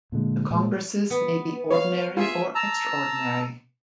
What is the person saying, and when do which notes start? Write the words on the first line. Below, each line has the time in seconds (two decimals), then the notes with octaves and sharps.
The congresses may be ordinary or extraordinary.
0.12 A#2 D3 G#3
0.50 A#2 G#3
1.10 B3
1.70 C#5 F5
2.17 F4 G#4 E5
2.55 A5 A#5 E6